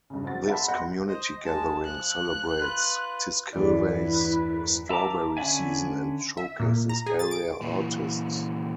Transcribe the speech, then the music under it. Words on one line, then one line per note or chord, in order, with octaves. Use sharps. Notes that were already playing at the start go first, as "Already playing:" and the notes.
This community gathering celebrates Tiskilwa's strawberry season and showcases area artists.
G2 C#3
F#2 C4 F#4 A6
E5 F#5 A5 B5 C6
E5 F#5 B5 C6 G6 A#6
C5 D#5
G#3 A5
F3 F#6
F4 B4
A1 E2 G2 E3 E4 B4 D5
A#4
E5 A5 A#5 D6
D3 C#4 D5 E5 G#5
E5
A#2
A#5
G#4
A6
D7
A#2 E3